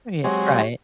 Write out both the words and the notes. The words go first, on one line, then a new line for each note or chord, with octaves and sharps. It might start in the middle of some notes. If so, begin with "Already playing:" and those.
Oh yeah, right.
F#3 G#3 C4 G4 C#5